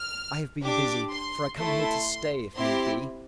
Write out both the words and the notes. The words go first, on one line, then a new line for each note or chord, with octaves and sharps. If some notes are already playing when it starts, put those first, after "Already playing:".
I have been busy, for I come here to stay if need be.
Already playing: F6
D4 G4 D6
C6
A3 E4 A4 C6
C4 E4 G4 C6